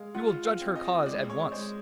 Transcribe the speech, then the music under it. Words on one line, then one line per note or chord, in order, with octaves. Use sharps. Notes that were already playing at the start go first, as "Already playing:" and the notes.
'We will judge her cause at once.'
Already playing: G#3 F5
F4 F#5
F5
C4
D#5
G#3 D5
C#5
G#3 C5